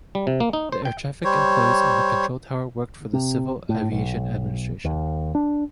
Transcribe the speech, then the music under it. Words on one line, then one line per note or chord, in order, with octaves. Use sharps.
The air traffic employees in the control tower worked for the Civil Aviation Administration.
G3
C3
A#3
D#4
C5
G5
G3 C5 C#5
C3
A2
B1
D#2
D4